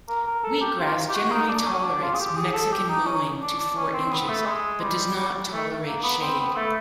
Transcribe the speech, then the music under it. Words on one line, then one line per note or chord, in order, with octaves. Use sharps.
Wheatgrass generally tolerates Mexican mowing to four inches, but does not tolerate shade.
A#4
A#4
A4
G4
F4
G4
F#4
D#4
D4
C#4
D4
F4
G#4
G4
G#4
A4
G4
D#4
C#4
D4
D4
C#4
C4
B3
A3
G#3
G3
G3
A3
A#3
B3
C4
B3
A3